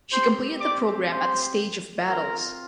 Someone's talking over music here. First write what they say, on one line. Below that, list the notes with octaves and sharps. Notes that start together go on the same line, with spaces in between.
She completed the program at the stage of battles.
C4 G4 C5 C6
D5 D6
C5 C6
C4 F4 A#4 A#5